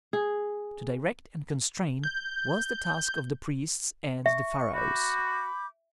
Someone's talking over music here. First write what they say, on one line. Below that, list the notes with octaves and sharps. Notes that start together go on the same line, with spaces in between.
To direct and constrain was the task of the priests and the pharaohs.
G#4
G6
E5 C#6
F#4 B5 D6 G6